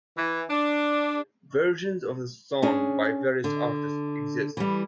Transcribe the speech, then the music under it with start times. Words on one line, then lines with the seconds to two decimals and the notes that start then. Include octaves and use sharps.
Versions of the song by various artists exist.
0.17 E3
0.49 D4
2.62 C#4 D4 G#4
3.44 D3
4.57 E3 G3